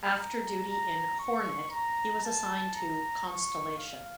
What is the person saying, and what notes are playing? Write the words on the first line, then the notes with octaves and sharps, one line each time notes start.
After duty in "Hornet", he was assigned to "Constellation".
A#5
A#5
C#6
A#5
A5
A#5
C#6
F5